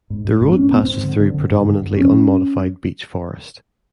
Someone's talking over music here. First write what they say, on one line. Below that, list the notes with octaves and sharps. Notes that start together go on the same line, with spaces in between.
The road passes through predominantly unmodified beech forest.
G#2
G#2
G#2
C4
G#2 C#4
G#2 B3
C4
G#2
D3
D3
D3
G2
D3
G2
F2 C#4